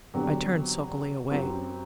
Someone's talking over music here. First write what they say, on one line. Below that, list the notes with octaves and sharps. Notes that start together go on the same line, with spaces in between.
I turned sulkily away.
E2 D3 F#3 C4 G4
F#2 F#3 C4 G4